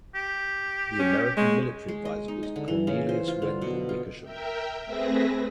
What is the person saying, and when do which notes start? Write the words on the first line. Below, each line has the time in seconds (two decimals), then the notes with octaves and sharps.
The American military advisor was Cornelius Wendell Wickersham.
0.15 G4
0.99 C#4
1.37 G#3 C#5
1.88 G#3
2.05 D#5
2.28 D#4
2.43 D#5
2.56 D3
2.68 E3
2.87 C#3
3.09 C5
3.28 F4
3.42 D3
3.62 B2
3.89 F4
4.22 A#4 E5 G5
4.85 A3 C4 G#4 B4 E5 A#6